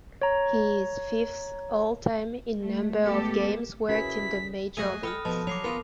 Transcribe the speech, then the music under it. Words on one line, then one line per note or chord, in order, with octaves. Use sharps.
He is fifth all time in number of games worked in the Major Leagues.
C#5 A#5
A3
G#3 A3 B3 G4 A4
C#4 E4 F#4 G#4 A#4 B4 B6
F#2 F#3 A3 G#4 D#5 F#6 A#6 D#7
A4 G5 B5 D#6 F6
B2 F3 A5
F#3 D6 C7 F7
B3 F4 A#4